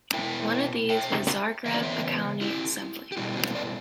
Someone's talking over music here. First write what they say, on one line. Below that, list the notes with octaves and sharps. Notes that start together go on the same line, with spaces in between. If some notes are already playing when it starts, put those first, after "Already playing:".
One of these was the Zagreb County Assembly.
B2 G3 B3 E4 E5 G5
E5 G5
C#3 E3 B3 E5
D5
C#5 E5
E4 G4
G4
B2 G3 B3 E4 F#4
F#4
B4 D5